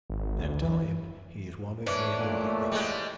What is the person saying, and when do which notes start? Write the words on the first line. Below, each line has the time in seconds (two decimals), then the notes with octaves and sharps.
"Then tell him he is wanted here immediately."
0.10 G#1
0.41 D2
0.62 E3
1.86 E3 C#4 D4
2.18 A#2 A3
2.71 G3 G#3